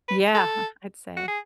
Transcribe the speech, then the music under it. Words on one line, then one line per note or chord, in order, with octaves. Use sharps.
Yeah, I'd say.
B4
A4
F#4
G#4